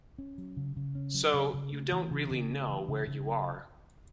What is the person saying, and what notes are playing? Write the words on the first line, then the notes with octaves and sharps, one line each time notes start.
So, you don't really know where you are.
C#4
F#3
C#3
C#3
C#4
F#3
C#3
C#3
A3
E3
C#3
C#3
A3
E3
C#3
C#3
F#3